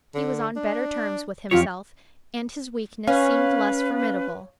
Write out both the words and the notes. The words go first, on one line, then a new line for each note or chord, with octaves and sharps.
He was on better terms with himself, and his weakness seemed less formidable.
D3
D4
F2 F#3 F4 G4 C#5
C#4 B4 C#5 F5